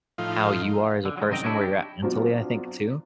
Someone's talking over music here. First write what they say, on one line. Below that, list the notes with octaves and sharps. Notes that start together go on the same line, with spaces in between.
how you are as a person, where you're at mentally, I think, too.
A2 F3 D#4 F4
D3
F#3 G#3
C2 F#2 D#3 C4 D#5 G5
D4 E4 G4 C#5 D#5
G4
B2 F#3 C4 D4 F4